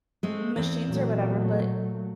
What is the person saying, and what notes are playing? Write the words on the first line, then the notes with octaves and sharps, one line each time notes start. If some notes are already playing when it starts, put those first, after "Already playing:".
m machines or whatever, but,
G#3 A3 C4
E2 C4
A#2 F#3 A3